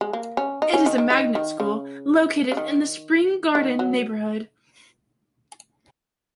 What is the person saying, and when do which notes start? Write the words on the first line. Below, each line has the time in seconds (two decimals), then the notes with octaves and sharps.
It is a magnet school, located in the Spring Garden neighborhood.
0.01 G#3
0.13 A#3
0.37 C#4
0.62 D#4
0.74 C#4
0.86 D#3
0.98 D#3
1.10 D#3
1.35 D#3
1.60 C#3
2.52 C#3
2.57 D#3
3.55 D#3
3.79 F#3